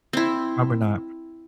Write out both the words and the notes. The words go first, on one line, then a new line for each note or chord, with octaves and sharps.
Probably not.
C4 E4